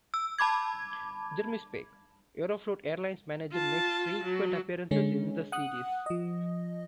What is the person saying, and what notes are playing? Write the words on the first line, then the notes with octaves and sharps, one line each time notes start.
Jeremy Spake, Aeroflot Airlines Manager makes frequent appearances in the series.
E6
A5 B5 D6 G#6
F4 A5
F#3
D3 G#3 C#4
F#5 D#6 F#6
F3 D#5